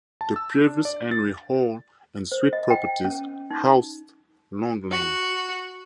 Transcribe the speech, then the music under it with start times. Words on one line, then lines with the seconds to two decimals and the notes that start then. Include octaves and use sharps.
The previous Henry Hall and Sweet properties housed Long Lane.
0.21 A5
0.36 E6
0.61 D4
0.85 D5
1.11 A6
2.32 C5
2.53 D#5
2.70 G5
3.05 C#4
3.51 D#4
4.91 F#4